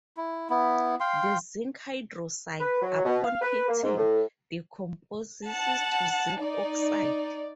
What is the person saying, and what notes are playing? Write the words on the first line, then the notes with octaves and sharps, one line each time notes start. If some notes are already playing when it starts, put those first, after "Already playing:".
The zinc hydroxide upon heating decomposes to zinc oxide.
E4
B3 E4
F5 G5 C6
B4
F#3
B2
F5
B4
A#3
G#2
A2
F#5 A5
D#4 D5